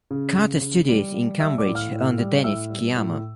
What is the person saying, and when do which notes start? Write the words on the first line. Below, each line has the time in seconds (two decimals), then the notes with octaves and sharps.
Carter studied at Cambridge under Dennis Sciama.
0.11 C#3
0.36 C#3
0.62 C#3
0.89 G3
1.14 G3
1.40 G3 E5 E6
1.58 D5 D6
1.66 A2
1.75 F5 F6
1.92 A2
2.18 G3
2.44 A2 E5 E6
2.70 G3
2.96 A2